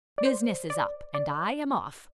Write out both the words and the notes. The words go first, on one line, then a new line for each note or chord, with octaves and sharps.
"Business is up and I am off!"
D5
C5
D5
D5